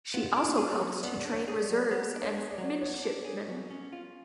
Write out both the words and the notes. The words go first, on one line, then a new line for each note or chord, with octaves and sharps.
She also helped to train reserves and midshipmen.
B3 F4
D4
F#4
G#4
C#5
F#3
B3 D5
D4
C#5
G#4
D5
F#3
B3 C#5
D4
C#5
G#4
D5
F#3
B3 C#5
D4
G#4
F#3
C#4
F4